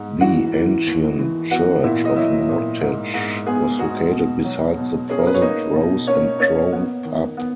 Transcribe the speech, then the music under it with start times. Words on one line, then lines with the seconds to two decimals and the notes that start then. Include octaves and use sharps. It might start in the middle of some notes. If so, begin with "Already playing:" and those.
The ancient church of Nottage was located beside the present Rose and Crown pub.
Already playing: G#2
0.21 E3 F#4 F#5
0.53 E3
0.86 D#2
1.19 E3
1.51 B3 F#4 F#5
1.83 A#2 E4 E5
2.05 D#5
2.16 F#3 E4 E5
2.49 A#2
2.81 G#2
3.14 G#2
3.47 B3 G#4 G#5
3.79 G#2 F#4 F#5
4.12 B2
4.45 F#3
4.77 B2
5.09 C#4 G#4
5.19 A#4
5.27 B4
5.34 C#5
5.42 A#3 D#4 D#5
5.75 B2
6.07 A#3 C#4 C#5
6.40 A#3 C#4 C#5
6.72 B3
7.05 D#3
7.37 B3